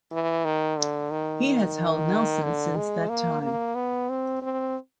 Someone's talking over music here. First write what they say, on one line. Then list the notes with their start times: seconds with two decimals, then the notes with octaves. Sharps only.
He has held Nelson since that time.
0.12 E3
0.45 D#3
0.79 D3
1.12 D#3
2.43 D3
2.76 G#3
3.09 A#3
3.42 A#3
3.75 B3
4.10 C4
4.42 C4